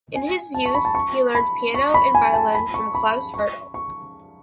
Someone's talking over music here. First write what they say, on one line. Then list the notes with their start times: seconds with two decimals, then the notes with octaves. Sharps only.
In his youth he learned piano and violin from Klaus Hertel.
0.16 G#5
0.54 A5
0.66 C#6
0.75 B5
0.85 A5
0.95 C#6
1.35 B5
1.74 C#6
1.94 B5
2.15 G#5
2.34 A5
2.55 B5
2.74 C#6
2.95 B5
3.34 C#6
3.74 C#6